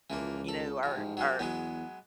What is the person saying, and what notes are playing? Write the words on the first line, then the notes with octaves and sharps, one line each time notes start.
you know, our our,
C#2 E3 F3 A#3
A4
A1 F3
G#2
F#3 G#3 A#3
E2 F#3 G#3 B3